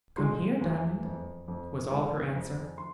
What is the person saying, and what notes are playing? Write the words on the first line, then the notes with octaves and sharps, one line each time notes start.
"Come here, Diamond," was all her answer.
G#3 C6
E2
F2
F2
G#3
F2
C6